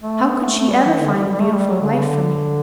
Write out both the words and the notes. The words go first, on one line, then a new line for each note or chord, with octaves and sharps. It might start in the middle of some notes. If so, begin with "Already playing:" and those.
How could she ever find a beautiful wife for me?
A3
B3
A3
A3
G3
E3
D3
G3
G3
A3
G3
F#3
D3
C#3
D3